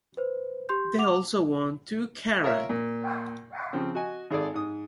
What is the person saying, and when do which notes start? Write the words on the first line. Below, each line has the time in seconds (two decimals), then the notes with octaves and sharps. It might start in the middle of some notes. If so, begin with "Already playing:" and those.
They also won two Kerrang!
0.17 B4 C5
0.69 G4 C6 G6
0.98 F#5 D6 F7
2.43 F4 A#4 C#5 E5 F5
2.69 A#2
3.73 C#3 F3 C4
3.95 F#4 D#5 G#5
4.30 G#1 G#4 A4 D5
4.54 G#2 D#6